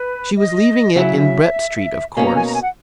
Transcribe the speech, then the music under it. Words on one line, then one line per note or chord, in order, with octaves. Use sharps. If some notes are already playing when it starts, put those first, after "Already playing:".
She was leaving it in Brett Street, of course.
Already playing: B4
D#5
C#3 F#3 C#4 E4 E5
B2 A#3 C#4 G#5
A#5
G#5
A#5
G#5
F#5